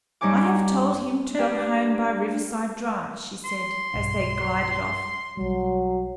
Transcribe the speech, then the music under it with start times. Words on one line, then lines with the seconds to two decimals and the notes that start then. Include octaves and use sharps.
"I have told him to go home by Riverside Drive," she said, as they glided off.
0.21 G2 G3 D#4 C#5 G#5 D6
1.35 D4 G4
3.45 C6
3.94 B1 G2
5.37 B1 F#3 G3